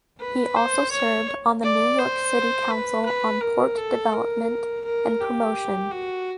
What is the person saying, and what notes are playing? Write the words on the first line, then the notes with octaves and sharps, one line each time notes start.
He also served on the New York City Council on Port Development and Promotion.
B4
C5
C#5
D5
C5
B4
B4
A#4
A4
A#4
A#4
G4
F#4